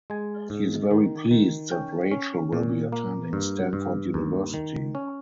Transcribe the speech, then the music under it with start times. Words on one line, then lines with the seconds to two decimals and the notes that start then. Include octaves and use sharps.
He is very pleased that Rachel will be attending Stanford University.
0.10 G#3 G#5
0.50 G#2
0.91 D#3
1.31 D#3
1.71 C#4 G5
2.11 C#4
2.53 A#2
2.92 A#3
3.33 G2
3.73 G2
4.14 D#2
4.54 D#3
4.95 C#4